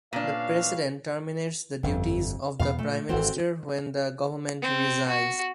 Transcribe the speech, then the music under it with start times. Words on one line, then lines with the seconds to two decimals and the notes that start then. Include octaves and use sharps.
The President terminates the duties of the Prime Minister when the Government resigns.
0.13 A#2 C#4 D4 B4 F5
1.83 G1 F2
2.59 E2 B2 B3 F5
2.79 A#2 A3
3.09 G#1 E3 C4 F#4 A4
4.62 C4
5.09 F#4